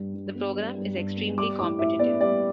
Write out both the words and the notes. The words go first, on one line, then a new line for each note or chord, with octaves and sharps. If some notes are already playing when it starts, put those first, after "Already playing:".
The program is extremely competitive.
Already playing: G2 G3
G2
B3
G3
G2
G2
B3
G3 D6
A2 D6
A2 E5
B3 D5
G3 D5